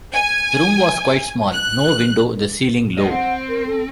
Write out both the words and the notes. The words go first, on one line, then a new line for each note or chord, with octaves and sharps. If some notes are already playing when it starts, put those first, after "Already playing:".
The room was quite small; no window; the ceiling, low.
G#5
F#6
A4 D#5
C4 F#5
A#4
A4